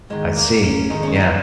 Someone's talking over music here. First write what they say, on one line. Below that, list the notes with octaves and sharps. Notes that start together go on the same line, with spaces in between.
I see. Yeah.
G#2 D#3 G#3
A#3
C#4
G#2 D#3 D#4
C#4
D#4